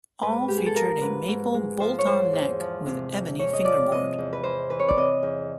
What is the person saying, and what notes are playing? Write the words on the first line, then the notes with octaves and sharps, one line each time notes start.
All featured a maple bolt-on neck with ebony fingerboard.
G#2 B4
G#3 G4
G#4
A4
F3 A#4
G#2 B4
G#2
G#3
F3 C5
C#5
G#2 C5
E2
F3
C3
E2
E2 C#5
D#5
F3 D5
C3 D#5
E2
B4
E2 C5
E3 B4
C#5
D5
C3 D#5
E2